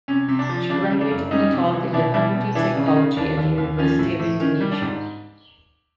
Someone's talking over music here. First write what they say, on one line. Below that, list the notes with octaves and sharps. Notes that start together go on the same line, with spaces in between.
She graduated and taught in the Faculty of Psychology at the University of Indonesia.
C3 C#4
C3
D4
F3
C#3 D4
C#3
D4
F#2
G3 C#4 D#4
C3
E3
B2 D4 E4
G3 D4 E4
B2
E3 D4 E4
C#3
C#4 D#4
C#3
D#2 D4
D#2
D#2
F3 C#4
A2
A2
D#3 C#4
G3
D4
G#2